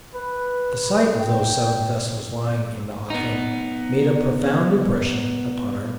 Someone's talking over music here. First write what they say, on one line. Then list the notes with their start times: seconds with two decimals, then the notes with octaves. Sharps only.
The sight of those seven vessels lying in the offing made a profound impression upon our minds.
0.15 B4
1.19 G5
3.10 B3 D#4